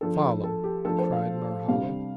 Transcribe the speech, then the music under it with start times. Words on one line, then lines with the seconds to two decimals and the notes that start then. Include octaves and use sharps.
"Follow," cried Norhala.
0.01 F3 D4 A4
0.44 A4
0.64 G4
0.85 F3 A3 D4 A4
0.98 C5
1.12 F5
1.68 C3 G3 D4 F5